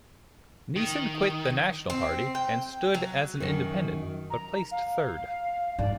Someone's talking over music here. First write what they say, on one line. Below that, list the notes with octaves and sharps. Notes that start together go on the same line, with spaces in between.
Neeson quit the National Party and stood as an independent, but placed third.
D#3
C4
G5
F#3
F#2 D#3
A#5
F5
G#2 D5